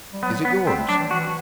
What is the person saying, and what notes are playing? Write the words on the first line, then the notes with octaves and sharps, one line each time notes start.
"Is it yours?"
G3
F#3 B3
B3
G3 C4
A3
F#3 D4
E3
E3 F#4